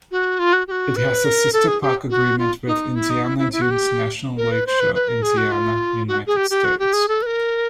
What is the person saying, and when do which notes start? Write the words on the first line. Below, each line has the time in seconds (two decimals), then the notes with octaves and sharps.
It has a sister park agreement with Indiana Dunes National Lakeshore, Indiana, United States.
0.11 F#4
0.39 F4
0.53 F#4
0.68 G4
0.71 F#4
0.96 B4
1.25 A#4
1.53 A4
1.68 G#4
1.82 G4
2.10 F#4
2.39 F4
2.67 D#4
2.95 E4
3.10 D#4
3.24 E4
3.38 E4
3.52 E4
3.62 F#4
3.71 G4
4.37 A#4
4.52 B4
4.67 C5
4.80 B4
4.95 B4
5.08 A#4
5.22 G#4
5.37 F#4
5.52 F4
6.08 F#4
6.27 G#4
6.36 G4
6.50 G4
6.64 F#4
6.79 G4
6.93 G#4
7.08 A4
7.22 B4
7.26 A#4